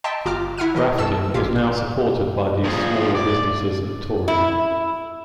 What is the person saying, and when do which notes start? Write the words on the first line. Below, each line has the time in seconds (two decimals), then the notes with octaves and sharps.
Grafton is now supported by these smaller businesses and tourism.
0.04 D#5 E5 G5 A5 C6
0.25 G1 F4 A#5 D6 F6
0.58 E4 E5 F#5 F6 D#7
0.75 E3 A#4 D#5
0.98 G2 A4 A5 E6 E7
1.34 A1 B2 F4 G4 F5
2.64 F3 G#4
3.15 D5
4.28 E4